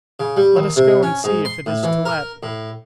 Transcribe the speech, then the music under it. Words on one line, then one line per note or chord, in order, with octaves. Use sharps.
"Let us go and see if it is to let."
C#3
G3
D#2
C3
C#4
G#2
C6
A2
E3
A#4
A2